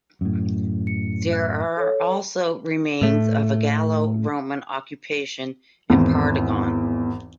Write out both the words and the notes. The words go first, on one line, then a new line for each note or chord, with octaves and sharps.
There are also remains of a Gallo-Roman occupation in Pardigon.
F#2 A2
C#7
E5 F#6
A4 C#5
A2 A3
G#1 E2